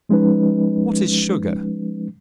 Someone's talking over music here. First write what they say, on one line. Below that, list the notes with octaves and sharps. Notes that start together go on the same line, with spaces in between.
What is Sugar?
F3 G#3 C#4 D#4 B4